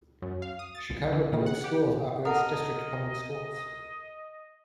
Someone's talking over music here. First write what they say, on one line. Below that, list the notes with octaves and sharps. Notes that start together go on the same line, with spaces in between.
Chicago Public Schools operates district public schools.
F#2
F5
D#6
A6
C2
D3
A#2
F#5
G4
A4 A#4 D#5 F#5 A5